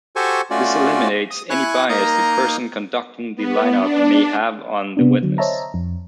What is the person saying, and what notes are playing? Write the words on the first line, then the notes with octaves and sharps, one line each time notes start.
This eliminates any bias the person conducting the lineup may have on the witness.
F#4 G4 A4 C5 G#5 C#6
A3 C#4 F4 F#4 D5
D#6
E4 G#5 C#6 F#6
A#3 D#4 A#4 D#5 A#5
B3
D4
C3 B3 D4
D3 F#3
C5 C#5 D#5 E5 A5 A#5
F2